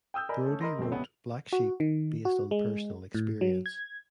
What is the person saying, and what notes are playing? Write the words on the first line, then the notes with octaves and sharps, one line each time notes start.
Brody wrote "Black Sheep" based on personal experience.
G5 D#6 E6 G6
A#4 D5 D#5 G#5 B5
A3 C#4 A4
A#4 D#5 B5 C6 A#6
G1 F2 A3 C4
A#1 C3 B3 C#5
F#4
D#3
F#4
G#3
A2
F#3
G#6